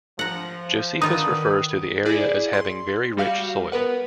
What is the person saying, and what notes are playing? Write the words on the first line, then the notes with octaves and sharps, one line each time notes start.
Josephus refers to the area as having very rich soil.
F3 F#5 A#5
D3 D#3 D#4 F4 B4 D#6
E4 G#4 D5
C6
G3 F#4 F5
B3 A#4 B4 F#5